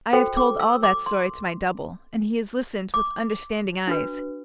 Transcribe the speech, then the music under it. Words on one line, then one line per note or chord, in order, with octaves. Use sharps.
I have told all that story to my double, and he has listened with understanding eyes.
F#4 A4 C5 G5
D6
E6
D6
C6
D6
D4 F#4 B4